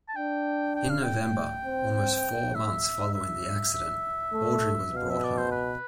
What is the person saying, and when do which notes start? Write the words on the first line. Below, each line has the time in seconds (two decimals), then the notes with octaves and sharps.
In November, almost four months following the accident, Audrey was brought home.
0.08 A5
0.16 D4 G5
0.76 G5
0.90 F5
1.03 G5
1.66 C4
2.55 E5
3.14 E5
3.73 E5
4.33 A3
4.93 B2 F5
5.10 E5
5.24 D5
5.37 C5
5.51 B4